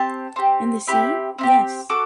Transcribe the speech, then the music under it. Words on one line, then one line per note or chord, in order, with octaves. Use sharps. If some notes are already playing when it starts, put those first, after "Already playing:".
In the sea, yes.
Already playing: C4 G4 A5
C4 G4
C4 E4 G4 B5
C4 E4 G4
F#4 A4 D6